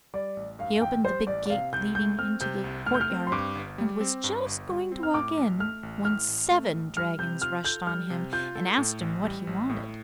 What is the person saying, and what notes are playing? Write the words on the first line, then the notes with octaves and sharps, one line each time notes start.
He opened the big gate leading into the courtyard, and was just going to walk in, when seven dragons rushed on him and asked him what he wanted?
G3 D5
A1
G2 F5
F5
A1 G5
G3 C5
A1 D5
D5
C3 F5
C2 G6
A3 G6
C4 F6
C3 G6
C2
A3 F6
G6
F6
C4
C6
G2 D6
G1
G3
C4
G2
G1
G3
C4
F6
A2 D6
A1
A3 F6
A1
A2 F6
A1
A3
A1
G3 F6
C3 G6
F4 F6
A4 G6
G3 F6
C3
F4 G6
A4
A2
A1
G3
A1
A2